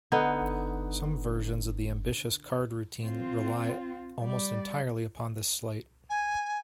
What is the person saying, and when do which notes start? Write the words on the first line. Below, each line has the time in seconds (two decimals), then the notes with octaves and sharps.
Some versions of the ambitious card routine rely almost entirely upon this sleight.
0.12 D3 B3 D#4
3.04 C4 F4
4.21 G3 D5
6.09 G#5